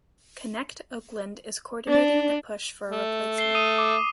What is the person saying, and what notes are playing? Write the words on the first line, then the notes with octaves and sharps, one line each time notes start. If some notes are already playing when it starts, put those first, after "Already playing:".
ConnectOakland is coordinating the push for a replacement.
D4
A3
C7 G7
D#6 D#7
D6